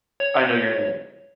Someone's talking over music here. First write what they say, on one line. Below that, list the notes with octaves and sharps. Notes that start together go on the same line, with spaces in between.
I know your name.
C#5